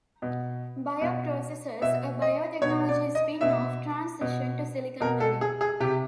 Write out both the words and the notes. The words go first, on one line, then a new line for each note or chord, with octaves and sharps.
Bioprocessors, a biotechnology spinoff, transitioned to Silicon Valley.
B2
B2
B2 E5
D#5
B2 C#5
D5
D#5
B2 E5
B2
B2 A#4
A4
G#4
G#4
C3 G4